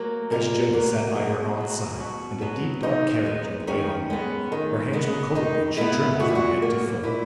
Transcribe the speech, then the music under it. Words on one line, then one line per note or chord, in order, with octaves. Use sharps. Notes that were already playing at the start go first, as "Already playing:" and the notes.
As Joe sat by her aunt's side in the deep dark carriage on the way home, her hands were cold and she trembled from head to foot.
Already playing: F#3 A#3
A#2 A#4
F#3 A#3
B2 G#4
F#3 B3
B2 F#4
F#3 B3
D#3 D#4
G#3 B3
D#3 C#4
G#3 B3
D#3
G#3 B3
D#3 D#4
G#3 B3 E4
A#2 F#4
E4
F#4
A#3
A#2 E4